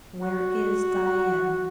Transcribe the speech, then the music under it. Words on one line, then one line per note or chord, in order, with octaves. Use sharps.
Where is Diane?...
F#4